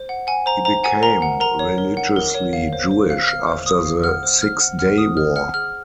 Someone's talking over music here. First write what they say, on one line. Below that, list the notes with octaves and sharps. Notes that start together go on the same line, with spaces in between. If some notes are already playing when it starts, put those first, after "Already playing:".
He became religiously Jewish after the Six Day War.
Already playing: C5
F#5
F#5 G#5
C5 A#5
C5 A#5
F#5 G#5
A#4 A#5
F#5
A#4 A#5
C#5
A#4
F#5
A#4
C#5
F5
C5
C5
F5
F5 F6
C5
C5 D#6
F5
F#5 F6
C5
C5 F6
F#5
F#5 F6
C5 D#6
C5 F6
F#5 F6
G#4 F6